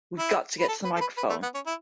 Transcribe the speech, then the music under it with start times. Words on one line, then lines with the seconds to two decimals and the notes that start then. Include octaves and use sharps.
'We've got to get to the microphone!
0.19 E4
0.60 B4
0.68 A4
0.85 B4
0.96 A4
1.01 B4
1.17 B4
1.30 A3
1.43 B3
1.54 C#4
1.67 E4